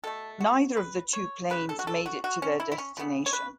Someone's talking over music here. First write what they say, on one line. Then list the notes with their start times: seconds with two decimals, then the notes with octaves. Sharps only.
Neither of the two planes made it to their destination.
0.04 B2 A3 A4
0.40 F#4
0.77 B4
1.13 C#5
1.50 C#3 A3 B4
1.69 A4
1.79 F#4
1.87 A4
2.06 F#4
2.24 F#4
2.42 C#4
2.60 E4
2.72 E4
2.78 C#4
2.97 C#3 E3 B3
3.26 C#5
3.33 B4